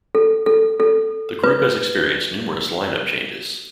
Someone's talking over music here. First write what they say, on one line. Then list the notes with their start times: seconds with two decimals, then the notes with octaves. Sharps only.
The group has experienced numerous line-up changes.
0.15 A4
0.46 A4
0.80 A4
1.44 B4